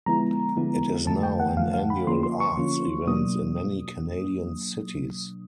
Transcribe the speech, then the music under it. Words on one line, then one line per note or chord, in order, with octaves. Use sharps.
It is now an annual arts events in many Canadian cities.
D3 F3 G#3 B3 E4 A#5
D3 F3 G#3 B3 E4
F2 D3 F3 A3 A5
G5
F#5
F2 D3 F3 A3 F5
F5
B5
D3 F3 A#3 C#4 F4 C6
C6
C#6
D3 F3 A#3 C#4 F4
B2 F#3 A#3 D4 D#6